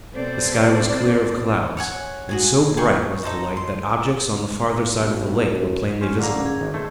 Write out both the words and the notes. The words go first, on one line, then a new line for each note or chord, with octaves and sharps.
The sky was clear of clouds and so bright was the light that objects on the farther side of the lake were plainly visible.
B2 C4 A4 C5 D5
C#5 F#5 G#5
F#4 G#4 G#5
G#4 G5 C#6
D#4 A4 C5 D#5
C6
B1
F#2
C#4 C5
D3 A#3 A#5
C#4
G#4
G#1
A3 G#4 C5